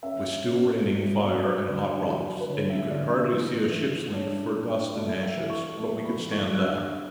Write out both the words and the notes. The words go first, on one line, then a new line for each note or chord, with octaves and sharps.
It was still raining fire and hot rocks and you could hardly see a ship's length for dust and ashes, but we could stand that.
C#4 E5
C#4
B2
B2
D3 D5
F#3
B4
D3 C#5
E5
D3 D5
E5
E3
E3
D4 C#5
D4
A3 D5
E5
E3
C#6
A3
B5
E3
C#6
F#6
G2 E6